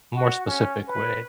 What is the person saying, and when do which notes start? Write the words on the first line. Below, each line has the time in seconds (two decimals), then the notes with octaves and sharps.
more specific way?
0.16 F#4
0.47 C#4
0.88 B4